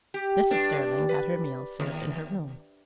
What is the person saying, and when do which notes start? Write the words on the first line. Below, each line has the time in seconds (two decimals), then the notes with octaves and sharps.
Mrs. Sterling had her meals served in her room.
0.14 G4
0.51 G2 D4
1.09 B4
1.80 D#2